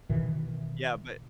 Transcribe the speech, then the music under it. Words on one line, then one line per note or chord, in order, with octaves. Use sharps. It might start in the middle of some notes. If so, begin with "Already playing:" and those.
yeah, but
B2 D#3 E3